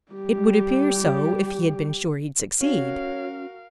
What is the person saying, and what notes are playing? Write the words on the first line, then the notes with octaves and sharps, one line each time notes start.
"It would appear so if he had been sure he'd succeed."
G3 G4
C#4 F#4 A#4 C#5 F5